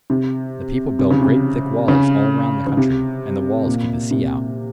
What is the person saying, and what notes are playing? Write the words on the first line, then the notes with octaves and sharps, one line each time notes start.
The people build great, thick walls all round the country, and the walls keep the sea out.
C3
C3
C#3
C3
C#3
C#3
C3
A#2
C3